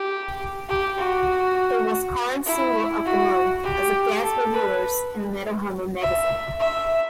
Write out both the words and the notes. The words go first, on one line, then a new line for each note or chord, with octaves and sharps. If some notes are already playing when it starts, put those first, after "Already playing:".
It was Korn's "Single of The Month" as guest reviewers in Metal Hammer magazine.
Already playing: G4
G4
F#4
E4
F#4
G4
A4
B4
E5
E5